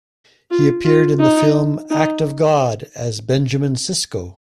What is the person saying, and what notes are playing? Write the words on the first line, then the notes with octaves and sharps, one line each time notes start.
He appeared in the film "Act of God" as Benjamin Cisco.
F4
F4
D#4
D#4